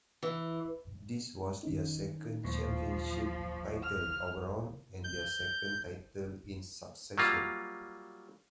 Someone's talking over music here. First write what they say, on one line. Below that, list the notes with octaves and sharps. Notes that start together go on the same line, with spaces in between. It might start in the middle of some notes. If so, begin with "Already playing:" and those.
This was their second championship title overall and their second title in succession.
E3
D#3 C#4 D#4
D#2 A#2 F3 C#6
F6
G6
F#3 G3 A#3 F4